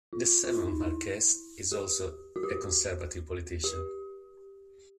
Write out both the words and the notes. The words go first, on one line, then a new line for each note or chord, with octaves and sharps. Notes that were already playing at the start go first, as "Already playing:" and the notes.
The seventh Marquess is also a Conservative politician.
F4
F4
E4
D#4
E4
G4
F#4
G4
F#4
G4